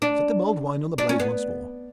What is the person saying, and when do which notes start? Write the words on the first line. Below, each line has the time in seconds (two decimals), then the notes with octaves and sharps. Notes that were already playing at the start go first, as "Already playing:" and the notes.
Set the mulled wine on the blaze once more!
0.02 D4
0.98 D4
1.09 C#4
1.20 B3